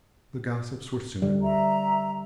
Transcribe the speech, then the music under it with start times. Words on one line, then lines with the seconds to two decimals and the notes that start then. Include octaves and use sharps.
The gossips were soon at work.
1.22 D3 G3
1.42 E5 A#5